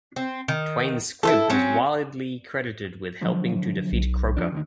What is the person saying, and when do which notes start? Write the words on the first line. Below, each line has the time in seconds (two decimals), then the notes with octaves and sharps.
Twain's squib was widely credited with helping to defeat Croker.
0.16 C4
0.48 D#3
1.23 E4 F4 A4
1.50 F#3 C4 C#4
3.21 D3 F3 F#3
3.92 B1
4.37 F2 F3 D4
4.52 D#2 D3 D#4